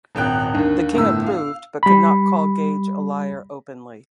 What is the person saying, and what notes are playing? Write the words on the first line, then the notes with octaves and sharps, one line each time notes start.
The king approved, but could not call Gage a liar openly.
D#1 G#1 G5 F#6
D#2 D3 D#3
G1 A2 E6
F5
G3 B5